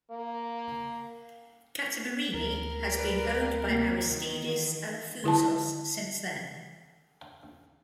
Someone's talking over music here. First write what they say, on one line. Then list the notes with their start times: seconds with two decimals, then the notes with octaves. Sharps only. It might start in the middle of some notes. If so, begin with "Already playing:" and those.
"Kathimerini" has been owned by Aristidis Alafouzos since then.
0.11 A#3
2.34 D2 A#4
2.93 B4 D5
3.66 C3 A#3
4.05 D#3 E3
5.24 D3 E4 B4 A5